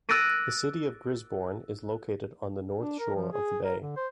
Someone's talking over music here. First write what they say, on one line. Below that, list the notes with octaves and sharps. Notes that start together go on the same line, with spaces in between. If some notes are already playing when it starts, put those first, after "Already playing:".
The city of Gisborne is located on the northern shore of the bay.
E6 F#6 A6 A#6 D7 D#7
D4
A#4
F3
G#4
A#4
D3
C5